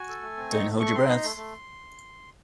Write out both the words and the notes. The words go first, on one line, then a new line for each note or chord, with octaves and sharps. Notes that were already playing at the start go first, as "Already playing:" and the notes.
Don't hold your breath.
Already playing: F#4 G#5
A4
A3
C4
D#4 C#6
A3
A3 C#6
C4 C6
D#4
A3
A3